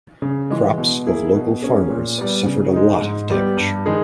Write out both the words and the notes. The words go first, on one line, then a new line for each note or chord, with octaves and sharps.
Crops of local farmers suffered a lot of damage.
C#3
E3 G#3
B2
A#3 E4 G#4
B2
A#3 C#4 G#4
A#2
G3 B3
C#3
G#3 D#4
G#2
G3 B3 G4
G2
D#3 G#3 D#4 G#4